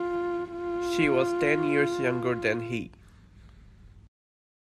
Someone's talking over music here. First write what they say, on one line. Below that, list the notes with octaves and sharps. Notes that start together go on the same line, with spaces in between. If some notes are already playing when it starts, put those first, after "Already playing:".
She was ten years younger than he.
Already playing: F4
F4